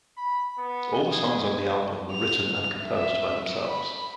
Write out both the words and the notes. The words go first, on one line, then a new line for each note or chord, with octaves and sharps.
All the songs on the album were written and composed by themselves.
B5
B3
G#4
F7
E5
B5